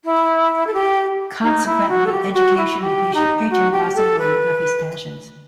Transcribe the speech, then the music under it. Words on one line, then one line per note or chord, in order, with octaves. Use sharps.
Consequently, education and preaching the Gospel were McGuffey's passions.
E4
A4
G4
D#4
E4
F#4
A4
G4
F#4
E4
G4
D#4
F#4
G4
A4
B4